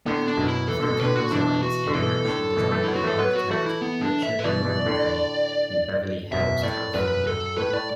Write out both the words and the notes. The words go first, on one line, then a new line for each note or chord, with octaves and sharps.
Franklin resides in a mansion designed by architect Richard Landry in Beverly Hills, California.
A2 D3 B3
D4
F#2 B2
E4
E3 A4
D3
B2 A4
A2 D3 B4
F#4
B2 E3 D4
F#4
D3
B2 E3 A4
A2 D3
B2 E3
E3 A3
F#3 B3 E4
F#4
E3 A3 A4
F#3 B3 B4
F#4
E3 A3 F#4
E4
B3
D4
E5
B4
B2 E3 D5
B2 E3
A2 D3
F#2 B2 E5
A2 D5
F#2 B4
A4
A2 B4
A2 D5